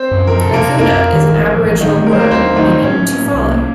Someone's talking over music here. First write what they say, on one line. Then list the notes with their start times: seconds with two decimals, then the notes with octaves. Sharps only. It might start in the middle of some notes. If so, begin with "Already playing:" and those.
Akuna is an Aboriginal word meaning "to follow".
Already playing: C4 C5
0.11 F#2
0.27 F3 A#4
0.41 C3 A4
0.54 A#3 A#4
0.62 C3
0.78 F2 A#3 A#4
0.96 F2
1.13 D#3
1.30 A1
1.47 F3
1.64 A1
1.80 D#3 F#3 D#4
1.97 A3
2.06 A#4
2.13 F#3 C5
2.20 A#3 A#4
2.31 D#2 C4 C5
2.48 A3
2.56 D#3 D#4
2.65 F#3
2.82 A2 C#4
2.99 F#3
3.16 A#3
3.33 C2
3.50 A#3